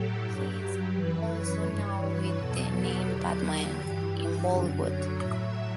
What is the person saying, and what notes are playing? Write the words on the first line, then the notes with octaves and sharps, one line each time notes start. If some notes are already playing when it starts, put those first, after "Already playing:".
He is also known with the name "Bad Man" in Bollywood.
Already playing: A2 F#3 G4 A4
G2 F#3
G4
F#2 E3 B4
C#5
G2 E3 C#5
B4
E2 B2 F#3 A4
G4
E2 D3 F#3
G4
G2 E3 G4
F#2 D3 F#3
C#5
A2 F#3 E5